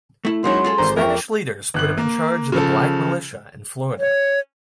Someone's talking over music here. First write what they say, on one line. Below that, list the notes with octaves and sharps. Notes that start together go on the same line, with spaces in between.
Spanish leaders put him in charge of the black militia in Florida.
A3 E4
F#3 G#3 A#3 C#4 D#4 E4 C6
F4 G#4 A4
G#1 C5 A#5
F2 A#4 E5 G5 C#6
G1 F#6 F#7
A#3
C#3 F3 A4
C#5